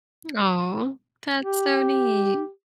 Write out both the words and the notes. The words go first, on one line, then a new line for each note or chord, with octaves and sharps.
Aw. That's so neat.
G4